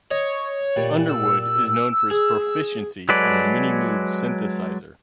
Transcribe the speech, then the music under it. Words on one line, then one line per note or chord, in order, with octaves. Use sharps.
Underwood is known for his proficiency on the Minimoog synthesizer.
C#5 D#5
A#2 G3
E6
G#4
F#3 G#3 A4 B4 D5